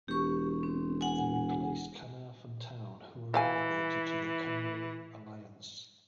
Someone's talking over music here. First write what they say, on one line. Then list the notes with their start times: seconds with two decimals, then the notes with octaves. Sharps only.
They replaced Caernarfon Town who were relegated to the Cymru Alliance.
0.08 E1 G4 C#6
0.63 C4
1.01 F#5 G#5
3.34 E3 C5 F5 G#5